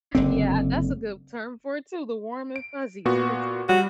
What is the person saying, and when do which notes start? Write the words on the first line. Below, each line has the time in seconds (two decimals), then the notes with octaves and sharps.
Yeah, that's a good term for it, too, the warm and fuzzies 'cause
0.15 F#1 D3 C4
2.56 D7
3.05 A#2 B3 F#4
3.69 G3 F#4